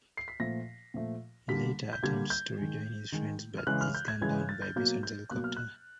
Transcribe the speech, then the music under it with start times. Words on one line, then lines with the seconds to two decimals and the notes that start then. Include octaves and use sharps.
He later attempts to rejoin his friends, but is gunned down by Bison's helicopter.
0.17 C7
0.28 B6
0.40 A#2 F3 A3 A#6
0.94 A#2 F3 A3
1.48 D3 G3 A#3 B6
1.93 G6
2.03 D3 G3 A#3 G#6
2.30 G6
2.58 D#3 G#3
3.12 D#3 G#3
3.58 F6
3.67 C#3 E3 G#3 F#6
3.81 F6
3.95 G6
4.08 G#6
4.21 C#3 E3 G#3 G#6
4.49 A6
4.62 G6
4.76 B2 F#3 A#3 G6
5.03 G6
5.31 B2 F#3 A#3 F#6
5.44 F6
5.57 F#6